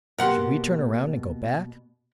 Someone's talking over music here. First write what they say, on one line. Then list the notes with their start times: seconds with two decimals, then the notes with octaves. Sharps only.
Should we turn around and go back?
0.18 B2 A#3 G4 A#4 F#5 C6